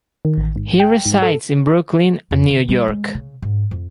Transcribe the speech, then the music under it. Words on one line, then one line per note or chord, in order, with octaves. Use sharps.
He resides in Brooklyn, New York.
D#3
A1
G#2
G5
G#2
A4
F2
D3
G3
G#3
C#3
G#2
F2